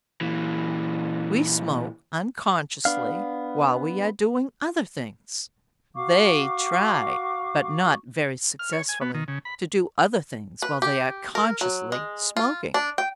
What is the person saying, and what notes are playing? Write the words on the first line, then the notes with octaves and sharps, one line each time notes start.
We smoke unconsciously while we are doing other things; THEY try, but not very successfully, to do other things while they are consciously smoking.
A#2 E3
B3 D4 F5
F#4 F5 C#6 D6
F6
C#5
G#5
B3
D#3
C#3
B5
B4
G4
A#4
F#3
G#3
F4
D4
G5